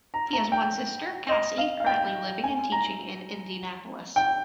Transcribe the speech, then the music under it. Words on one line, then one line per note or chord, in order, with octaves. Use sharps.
He has one sister Casie currently living and teaching in Indianapolis.
A#5
A#5
G5
D#5
F5
F5
G5
G#5
A#5
G5